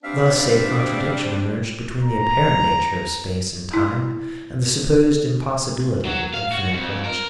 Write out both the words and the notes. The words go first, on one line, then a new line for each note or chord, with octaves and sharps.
Thus a contradiction emerged between the apparent nature of space and time and the supposed impossibility of infinite collections.
G3 C4 D4 E5 F5
A#5
E4
F#3
F5
F#4
F2
A#4